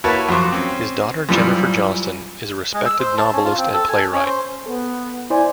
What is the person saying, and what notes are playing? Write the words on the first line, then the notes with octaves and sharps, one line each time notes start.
His daughter Jennifer Johnston is a respected novelist and playwright.
A#3 E4 F#4 B4 C#5 A5
F2 F#3 C5 C#6 D6
C4 C#4
F#2 E3 F3 G3
G#3
E6
C5
A5
C#4
F4
C4
A4
G#5
C#4
C5
B3 A4
E4 C5 D5 G#5